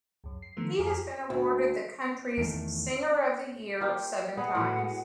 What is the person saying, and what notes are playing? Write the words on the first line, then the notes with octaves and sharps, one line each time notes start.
He has been awarded the country's "Singer of the Year" seven times.
C#2 F#2
C7
D3 D#3 F3 A3 B3
F2 F4 A#5 D6 F6
D2
E2 D#3 A3
A#3 F4 G4
B3 G#4 B4 F#5
A2 F#4 B4
G#3